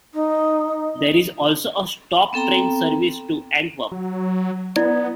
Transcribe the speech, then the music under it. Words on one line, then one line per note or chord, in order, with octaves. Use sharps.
There is also a stop-train service to Antwerp.
D#4
B3 C4 A4 G5 A#5
F#3
B3 E4 D5